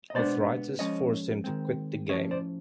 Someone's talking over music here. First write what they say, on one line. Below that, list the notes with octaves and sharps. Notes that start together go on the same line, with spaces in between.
Arthritis forced him to quit the game.
D#5
B2 G#3 B3 D4 C5 D5
F3 G#3 C#4 C#5 D#5
D#3 G#3 C4
A2 F3 A#3 C#4 C#5 D#5
C5 D5